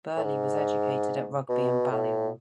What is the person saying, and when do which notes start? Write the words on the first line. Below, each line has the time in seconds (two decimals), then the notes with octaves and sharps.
Birley was educated at Rugby and Balliol.
0.17 A2
0.24 G#2
1.49 B2
1.91 A2